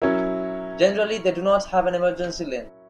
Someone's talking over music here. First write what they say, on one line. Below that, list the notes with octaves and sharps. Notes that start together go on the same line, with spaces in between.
Generally, they do not have an emergency lane.
F#3 C#4 E4 A#4